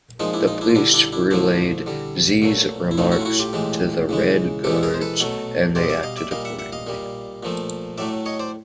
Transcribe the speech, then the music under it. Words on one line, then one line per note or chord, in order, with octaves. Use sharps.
The police relayed Xie's remarks to the Red Guards and they acted accordingly.
A#2 F3 G#3 D#4 F4
D4 E4
D#4 F4
D4 E4
F4
D3 G3 D4 E4
D4 E4
D4 E4
D3 F3 A3 D4 E4
D3 G3
A#2 F#3 A3
E4
A2 F#3 A3 D#4 F4
E4 F#4
F4
E4 F#4
F4 G4
A2 E3 G#3
C#3 E3 G#3
C3 E3 G#3 G4 A4
G#4 A#4
C5
A4 B4
B2 F#3 A3
B2 G3 C5 D5
D#5
D5 E5
D#5 F5
D5 E5
A#2 G3 D#5 F5
E5 F#5
E5 F#5
D#5 F5
A#2 G3
A#2 F3 A3
A2 F#3 A3 D5 E5
C#5 D#5
C5 D5